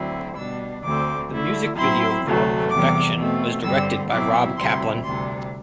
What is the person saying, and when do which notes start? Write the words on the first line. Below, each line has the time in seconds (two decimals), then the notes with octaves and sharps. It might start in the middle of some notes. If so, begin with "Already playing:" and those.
The music video for "Perfection" was directed by Rob Kaplan.
Already playing: D2 D3 F#3 C4 E4
0.36 B2 G3 D4 E6
0.83 D2 D3 A3 C4 D6
1.30 D3 A3 E4
1.76 A2 F#3 C4 E4 C6
2.23 D2 C3 F#3 A3
2.69 E2 C3 G3 D6
3.16 B2 A3 C4
3.63 G2 D3 G3 C4 E6
4.09 B2 F#3 C4 E4 D6
4.56 D2 C3 G3 C4 E4 C6
5.03 D2 C3 G3 D4 C6